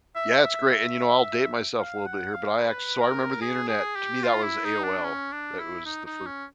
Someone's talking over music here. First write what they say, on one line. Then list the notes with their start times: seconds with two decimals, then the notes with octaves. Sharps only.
Yeah, it's great, and you know, I'll date myself a little bit here, but I ac so I remember the internet to me that was AOL. That was the first
0.16 E5
0.43 E5
0.70 E5
1.79 F5
2.06 F#5
2.33 F5
2.60 B4
3.01 A#4
3.42 G#4
3.68 G#4
3.96 G4
4.23 F4
4.43 E4
4.64 D#4
4.84 D4
5.04 C#4
5.32 D4
5.59 E4
5.86 D#4
6.06 D#4
6.27 C#4